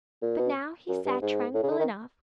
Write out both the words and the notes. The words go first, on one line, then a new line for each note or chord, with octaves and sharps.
But now he sat tranquil enough.
A#2
B2
F#2
G2
G#2
A2
C#3
D3
D#3